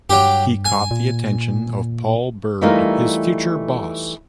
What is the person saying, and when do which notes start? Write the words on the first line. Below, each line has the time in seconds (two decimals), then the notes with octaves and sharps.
He caught the attention of Paul Bird, his future boss.
0.10 G2 F#3 G4
0.65 G#5
0.91 A#2
2.61 E3 G3 A3 D#4 F4 A#4